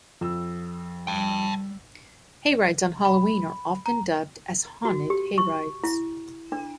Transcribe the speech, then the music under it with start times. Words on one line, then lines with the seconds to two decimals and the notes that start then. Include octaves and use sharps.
Hayrides on Halloween are often dubbed as 'haunted hayrides'.
0.21 F2 E6
1.07 G3 G5 A5
3.05 B5
3.86 A#5
4.85 F#4
5.10 G4
5.38 C#6
5.84 E4
6.52 D4